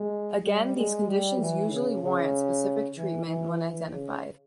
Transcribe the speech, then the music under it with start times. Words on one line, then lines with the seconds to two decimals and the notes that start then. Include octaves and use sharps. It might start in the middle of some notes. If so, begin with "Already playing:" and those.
Again, these conditions usually warrant specific treatment when identified.
Already playing: G#3
0.45 G3
0.77 G#3
1.08 G3
1.40 E3
1.71 C#3
2.03 C#3
2.97 E3
3.29 E3
3.92 C#3